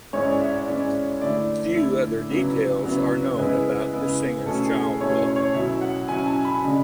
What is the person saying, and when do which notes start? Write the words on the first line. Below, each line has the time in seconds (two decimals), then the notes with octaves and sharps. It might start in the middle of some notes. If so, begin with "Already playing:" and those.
Few other details are known about the singer's childhood.
0.13 G#2 G#3 C#4 E4 C#5
0.27 D5
0.40 E5
0.54 D5
0.67 G#2 G#3 C#4 E4 D5
1.21 D3 A3 E4 D5
1.75 D3 A3 E4
2.30 C#3 F#3 B3 E4
2.84 C#3 F#3 B3 E4
3.38 C#3 G#3 B3 E4 B4
3.92 C#3 G#3 B3 E4
4.46 B2 A3 C#4 E4 A4
4.64 G#4
4.82 A4
5.00 B2 A3 C#4 E4 C#5
5.19 C#5
5.36 C#5
5.54 B2 F#3 C#4 E4 E5
5.81 F#5
6.08 B2 F#3 C#4 E4 G#5
6.26 A5
6.45 B5
6.64 C#3 G#3 D4